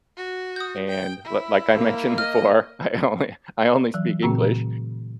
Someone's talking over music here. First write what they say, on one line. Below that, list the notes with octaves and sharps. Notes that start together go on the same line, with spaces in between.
and l like I mentioned before, I only I only speak English,
F#4
D#6 G6
G5
E4
A#3
D#5 F6
E3 F#3
A#2 C#3 A3 C4 F#4